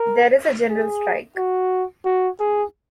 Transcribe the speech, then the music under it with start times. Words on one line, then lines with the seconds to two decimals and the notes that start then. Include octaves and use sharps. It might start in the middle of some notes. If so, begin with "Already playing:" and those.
There is a general strike.
Already playing: A#4
0.69 G#4
1.37 F#4
2.05 F#4
2.40 G#4